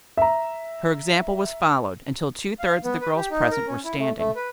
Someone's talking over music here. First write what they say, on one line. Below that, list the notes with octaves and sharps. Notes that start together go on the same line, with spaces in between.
Her example was followed, until two thirds of the girls present were standing.
E5 A#5
F5
B3
B4
G4
D#4
A#4
C#4
E4
A3
A3
B4